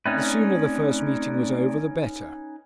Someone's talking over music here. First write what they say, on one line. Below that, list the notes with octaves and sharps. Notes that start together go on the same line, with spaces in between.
The sooner the first meeting was over the better.
A3 C4 C#4 D#4 B4 D5